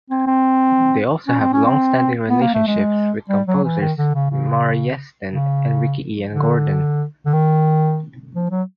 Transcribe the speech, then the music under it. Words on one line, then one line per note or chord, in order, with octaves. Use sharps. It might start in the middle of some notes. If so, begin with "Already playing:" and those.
They also have long-standing relationships with composers Maury Yeston and Ricky Ian Gordon.
C4
C4
C#4
C4
C#4
C4
B3
A#3
A3
G#3
G3
F#3
E3
D#3
D3
C#3
C#3
C#3
D3
D3
D#3
F3
F#3